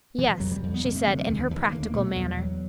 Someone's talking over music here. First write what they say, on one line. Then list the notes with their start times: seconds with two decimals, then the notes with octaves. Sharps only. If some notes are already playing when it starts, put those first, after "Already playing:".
"Yes," she said, in her practical manner.
0.18 C3 E3
0.40 F2 F#3
0.51 G3
0.63 F2
0.74 B3
0.84 C3 A#3
0.96 A3
1.06 D3 G#3
1.17 G3
1.29 D#2 D#3
1.39 F3
1.50 D#2 E3
1.61 E3
1.72 D3 A#3
1.83 A#3
1.94 B2 A3
2.16 E2 G3
2.28 G3
2.38 E2 F#3